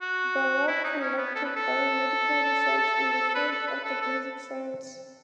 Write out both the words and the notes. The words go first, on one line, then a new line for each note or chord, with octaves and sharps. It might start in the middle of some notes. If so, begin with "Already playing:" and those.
The lab conducts biomedical research in the fields of the basic sciences.
F#4
E4
D#4
C#4
B3
A4
B4
A4
B4
A4
B4
A4
A4